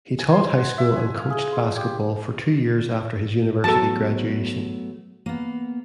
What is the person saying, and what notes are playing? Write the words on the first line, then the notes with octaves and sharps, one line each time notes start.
He taught high school and coached basketball for two years after his university graduation.
G#5
C6
F#5
E5
G#5
F5
G#4
C6
G4
F#3 A3 B3 A4 A5
A#3 B3